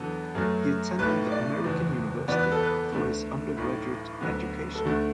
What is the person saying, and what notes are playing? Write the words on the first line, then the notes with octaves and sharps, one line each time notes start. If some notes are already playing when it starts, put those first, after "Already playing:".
He attended the American University for his undergraduate education.
Already playing: E2 D3 F#3 B3 A4
F#2 F#3 A3
B1 A2 A3 B4
D5
F#1 E2 B2
E2 B2 B3 D5
B4
A4
B4
D2 D3 A3
B1 A2 A3
D2 D3 F#3 B3
A4
D2 D3 A3 F#4